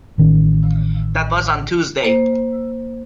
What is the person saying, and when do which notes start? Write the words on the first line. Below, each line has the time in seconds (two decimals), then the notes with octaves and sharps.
That was on Tuesday.
0.18 A1 D#3 C#4
2.03 A#3 C5